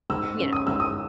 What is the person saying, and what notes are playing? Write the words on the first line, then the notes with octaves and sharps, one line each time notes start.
you know
G#2 E6
C#4
D#6
G#2 E6
D#6